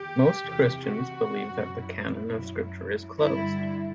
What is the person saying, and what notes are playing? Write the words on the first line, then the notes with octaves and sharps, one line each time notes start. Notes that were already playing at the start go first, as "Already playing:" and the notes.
Most Christians believe that the canon of scripture is closed.
Already playing: G4
E2 C3 E3
F#4
F#2 F#3
E4
F#2 F#3
G2 D3 G3 E4